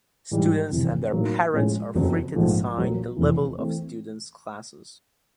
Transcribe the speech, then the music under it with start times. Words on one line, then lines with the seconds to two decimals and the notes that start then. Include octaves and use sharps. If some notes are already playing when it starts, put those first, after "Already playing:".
Students and their parents are free to decide the level of the students classes.
0.31 G#2 E3 G3
0.71 G1 F2 C3 E3
1.12 A2 F#3 A#3 D#4
1.53 A2 F3 G#3 C#4
1.95 F#1 F2 C#3 F#3 B3
2.35 A#1 G#2 F3 A3
2.76 A#1 A#2 F#3 A3
3.17 F1 E2 C3 E3
3.58 E3 A3 C4